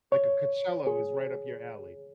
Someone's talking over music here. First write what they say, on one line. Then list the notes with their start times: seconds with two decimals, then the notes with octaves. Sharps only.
Like a Coachella was right up your alley.
0.12 C#5
0.87 G#4